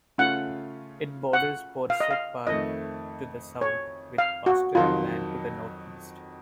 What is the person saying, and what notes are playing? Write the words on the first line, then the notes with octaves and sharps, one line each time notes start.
It borders Porset Park to the south, with pastoral land to the north-east.
C#3 A3 C#4 F4 F#5
F#5
F5
D#5
F5
F2 D#3 A3 D#5
C#5
F5
F#4
F2 D#3 F#3 F4